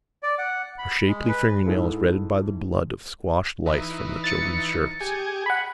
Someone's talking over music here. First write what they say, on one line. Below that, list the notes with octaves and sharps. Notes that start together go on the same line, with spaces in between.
Her shapely fingernails reddened by the blood of squashed lice from the children's shirts.
D5
F#5
B5
G#3
B4
G#2 E4 G#4 A4
E3 D#4
A6 C#7
G4 G#4 G#5
F#5 B5